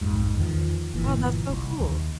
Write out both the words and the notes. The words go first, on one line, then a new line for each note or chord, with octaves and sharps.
Oh, that's so cool.
A#1 F2 G#2
E2 D#3 F3
G1 A#2 E3
C2
D#2